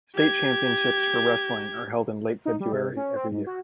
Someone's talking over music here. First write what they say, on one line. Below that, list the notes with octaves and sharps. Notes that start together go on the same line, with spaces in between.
State championships for wrestling are held in late February every year.
G4 G#6
D#4
G3
C3
C#4
C4
G#2
F#4